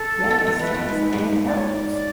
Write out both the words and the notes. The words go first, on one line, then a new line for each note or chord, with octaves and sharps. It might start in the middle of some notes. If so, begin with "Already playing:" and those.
Yes, yes, and it helps.
Already playing: A4
E2
F2
E2
F2 B4
E2
F2
G#2
G2
G#2
D5
C#5
D5
D5